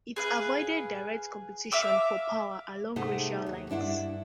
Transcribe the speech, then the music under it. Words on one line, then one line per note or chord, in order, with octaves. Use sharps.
It avoided direct competition for power along racial lines.
G#4 B4 F5
E5 F5 D6 E6
C3 A3 D#4 G#4 F#5
D#2
G2 D4 E4 F#5